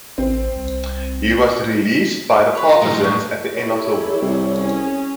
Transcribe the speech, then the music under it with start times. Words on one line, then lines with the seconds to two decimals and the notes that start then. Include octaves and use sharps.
He was released by the partisans at the end of the war.
0.18 A1 C4
0.56 C2
2.55 B4 C#5
2.69 F4 A#5
2.82 F#2 A2 D#5
3.01 A5 C#6 D#6
3.54 E4 G4 A4 C#5
4.22 C2
4.58 C#4 G#4